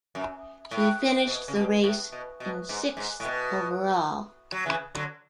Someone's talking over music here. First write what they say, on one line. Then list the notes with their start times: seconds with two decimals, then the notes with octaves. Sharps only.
He finished the race in sixth overall.
0.15 F#2
0.71 A2
1.27 B2
1.48 C#3
1.55 B2
1.84 A2
2.12 B2
2.40 B2
2.69 G#2
2.97 G#2
3.20 A2
3.25 B2
4.52 F#3
4.66 C#3 E3
4.95 D3 F#3